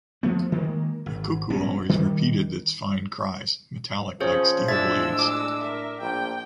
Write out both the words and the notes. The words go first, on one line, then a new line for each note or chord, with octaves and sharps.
The cuckoo always repeated its fine cries, metallic like steel blades.
F3 A3 B3
D#3 G#3 A#3
G#1
A#1 B2 C#4
D#3 G3
F3 C#4 G#4 C5 C#5
A2 G#3 D4 E5 E6 G#6 A6
D6
A#4 E5
A#1 G5